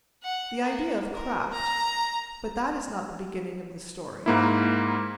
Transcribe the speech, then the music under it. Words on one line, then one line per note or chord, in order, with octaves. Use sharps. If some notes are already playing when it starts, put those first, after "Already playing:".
The idea of Kraft--but that is not the beginning of the story.
F#5
A#3
A#4
A#5
G#2 A#3 E4